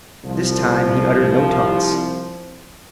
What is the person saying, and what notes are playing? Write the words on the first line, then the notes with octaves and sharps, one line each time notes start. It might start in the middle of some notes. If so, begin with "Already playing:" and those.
This time he uttered no taunts.
C2 F3